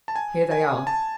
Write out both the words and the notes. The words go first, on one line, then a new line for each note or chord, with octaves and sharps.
"Here they are."
A5
G#5
G#5
A5